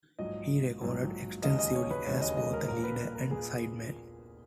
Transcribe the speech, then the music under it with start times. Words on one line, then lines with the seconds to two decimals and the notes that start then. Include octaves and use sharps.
He recorded extensively as both a leader and sideman.
0.19 A#1 G#2 F#3 D#5
0.81 A#1 G#2 F#3
1.43 E1 D#2 C#3 G#3 D#5
1.59 D#5
1.75 C#5
1.91 B4
2.06 E1 D#2 C#3 G#3 C#5
2.21 D#5
2.37 D#5
2.53 A#4
2.68 A#1 A#2 A#3 A#4
2.84 B4
3.15 A#4
3.30 A#2 A#3 G#4